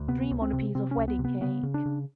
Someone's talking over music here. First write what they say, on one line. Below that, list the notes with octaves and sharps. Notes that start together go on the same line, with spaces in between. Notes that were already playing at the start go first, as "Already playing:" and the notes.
Dream on a piece of wedding cake.
Already playing: D2
C3 B3
C#2
C4
C3
C3 C4
C#4
C#2
B3
C3
B3
C#3 B3
C#3
D4
C#3